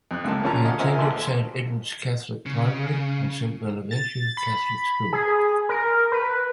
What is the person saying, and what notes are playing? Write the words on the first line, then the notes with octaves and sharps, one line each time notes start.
He attended Saint Edward's Catholic Primary and Saint Bonaventure's Catholic School.
F2 F#6
C#2 C3 A#3 A5
D2 C#3 C#4 F4 A5 A#5
D#5 F5 F#5
A#4 C5 D#5 E5 G#5
A1 D#2 D3 D#5 A5 C6
C#3
A6
B5
G#4
A#4
B4